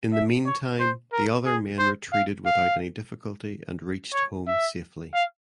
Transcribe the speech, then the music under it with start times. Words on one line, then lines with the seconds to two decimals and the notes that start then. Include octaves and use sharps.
In the meantime the other men retreated without any difficulty and reached home safely.
0.13 E5
0.46 C#5
0.80 C5
1.12 A#4
1.46 G#4
1.79 C5
2.12 F5
2.46 F5
4.13 C#5
4.47 E5
5.14 F5